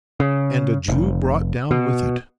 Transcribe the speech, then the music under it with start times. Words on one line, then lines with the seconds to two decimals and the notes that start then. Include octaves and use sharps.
'And a Jew brought down with it!
0.20 C#3
0.88 F1
1.71 B2